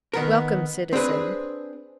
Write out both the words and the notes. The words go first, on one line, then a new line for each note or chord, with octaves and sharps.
"Welcome, citizen."
D#3 B3 A#4
C4 D4 G#4 B4